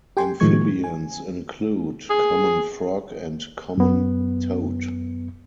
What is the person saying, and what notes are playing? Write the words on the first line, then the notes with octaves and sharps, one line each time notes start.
Amphibians include: common frog and common toad.
G4 G5 G#5 C6
A2 D#3 F3 G#3 C#6 G#6
G#5
G#4
F#2 B3